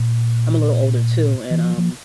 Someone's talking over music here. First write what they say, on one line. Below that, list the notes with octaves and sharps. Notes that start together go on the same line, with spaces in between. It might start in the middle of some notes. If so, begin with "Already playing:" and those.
I'm a little older, too, and, um,
Already playing: A#2
E3
F3
F3